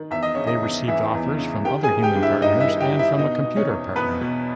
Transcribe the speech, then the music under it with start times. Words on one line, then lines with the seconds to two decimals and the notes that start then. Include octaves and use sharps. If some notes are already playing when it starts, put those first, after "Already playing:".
They received offers from other human partners and from a computer partner.
Already playing: D#3
0.11 E2 E5
0.23 D#5
0.35 C#3 C#5
0.47 D#4 D#5
0.63 E2
0.88 E3 E4 E5
1.14 E2
1.39 C#3
1.64 D#3 G4 G5
1.83 G#4 G#5
1.90 D#3
2.03 G4 G5
2.15 G2
2.22 E4 E5
2.42 G2 D#4 D#5
2.60 E4 E5
2.68 D#3
2.80 G4 G5
2.93 D#3
2.99 E4 E5
3.18 B2 D#4 D#5
3.44 B2
3.56 C#4 C#5
3.69 E2
3.95 E2 B3 B4
4.21 B2